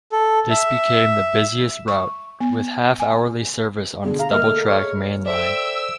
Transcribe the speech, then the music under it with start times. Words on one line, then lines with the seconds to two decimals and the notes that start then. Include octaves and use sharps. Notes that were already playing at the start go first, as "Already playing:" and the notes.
This became the busiest route, with half-hourly service on its double-track main line.
0.12 A4
0.50 E5
1.88 C#6
2.41 B3
3.00 G#5
4.04 B2 D3 G#4
4.19 F5 A#5
4.31 A#3 A#4 D#5 E5 F6
4.44 A4
4.68 C#5 C#6
4.82 G#4
5.26 A4 C5 D5 E5 G5 E6